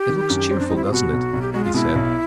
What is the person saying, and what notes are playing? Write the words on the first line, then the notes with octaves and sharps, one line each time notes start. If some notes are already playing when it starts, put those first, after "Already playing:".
"It looks cheerful, doesn't it?" he said.
Already playing: G4
D#3
F#2
C4
D4
D#4
G3 E4
F4
B2 F#4
B1
B1
G4
G#3 F#4
F4
B2 E4
B1